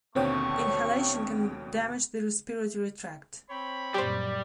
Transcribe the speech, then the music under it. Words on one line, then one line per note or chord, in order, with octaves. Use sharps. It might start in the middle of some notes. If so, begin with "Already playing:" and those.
Inhalation can damage the respiratory tract.
D#2 B2 D3 A3 C4 C#5 G5 C#6
C4 C#5 B5
F#2 A#2 G3 G4 C5